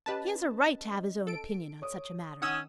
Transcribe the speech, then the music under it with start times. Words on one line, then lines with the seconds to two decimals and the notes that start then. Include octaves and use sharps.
"He has a right to have his own opinion on such a matter."
0.06 C#4 G4 B4 D#5 A5
1.27 A4 D7
1.82 C#5 D#6
2.42 D#3 C#4 F#5 D#6 E6